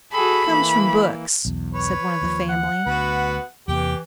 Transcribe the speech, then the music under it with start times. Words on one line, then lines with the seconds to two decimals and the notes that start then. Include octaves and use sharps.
"It comes from books," said one of the family.
0.12 F#4 G#4 A4 B5
0.51 E3 A#3
1.45 B1 E2
1.74 B4 C#5
2.22 D#2 F3
2.49 F#5
2.86 D2 B3 F#4 B4
3.68 E2 C3 E3 A#3 G4 G5